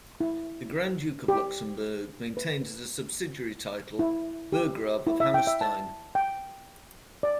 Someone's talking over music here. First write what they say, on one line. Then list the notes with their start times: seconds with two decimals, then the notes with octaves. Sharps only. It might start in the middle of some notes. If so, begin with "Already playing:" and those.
The Grand Duke of Luxembourg maintains as a subsidiary title "Burgrave of Hammerstein".
0.20 E4
1.28 G4
2.37 B4
3.99 E4
4.52 G4
5.07 E4
5.20 E5
5.34 G5
5.47 E5
5.61 A5
6.15 G5
7.23 D5